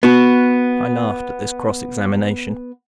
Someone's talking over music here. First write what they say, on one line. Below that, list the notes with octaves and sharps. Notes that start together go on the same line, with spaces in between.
I laughed at this cross-examination.
B3 F#4